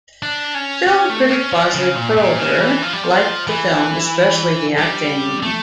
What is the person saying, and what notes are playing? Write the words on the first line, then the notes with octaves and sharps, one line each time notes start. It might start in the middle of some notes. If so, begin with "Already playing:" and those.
Film critic Bosley Crowther liked the film, especially the acting.
D4
C#4
C#4
A3
C#4
F3
C#3
A#2
A#2
C#3
E3
F3
G3
F3
E3
G3
A3